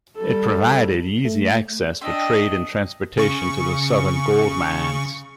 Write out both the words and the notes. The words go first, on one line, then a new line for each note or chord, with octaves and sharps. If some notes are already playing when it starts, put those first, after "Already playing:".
It provided easy access for trade and transportation to the southern gold mines.
G3 A4
A3
D4 D#5 E5 G5 C6
C#3 C#6